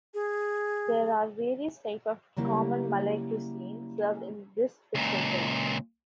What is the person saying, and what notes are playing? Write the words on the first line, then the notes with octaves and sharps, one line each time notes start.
There are various type of common Malay cuisine served in this food centre.
G#4
C#3 F#3 G3 A#3 E4 G4
C#2 A#2